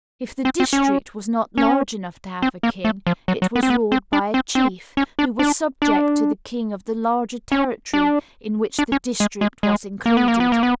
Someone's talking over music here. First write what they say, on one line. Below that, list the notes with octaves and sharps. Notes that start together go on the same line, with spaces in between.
If the district was not large enough to have a king, it was ruled by a chief, who was subject to the king of the larger territory in which the district was included.
C4
C4
C#4
C#4
C4
A#3
A3
F3
F#3
F#3
B3
C4
B3
C4
D4
C4
C4
C#4
D4
D4
D4
C#4
D4
D4
C#4
G#3
G#3
G#3
A#3
B3
A#3
B3
A#3
B3